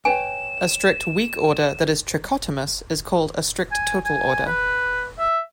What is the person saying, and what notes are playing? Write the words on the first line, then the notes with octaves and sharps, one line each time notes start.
A strict weak order that is trichotomous is called a strict total order.
B4 C#5 G5 G#5 E7
G#5
G#5
B4
E5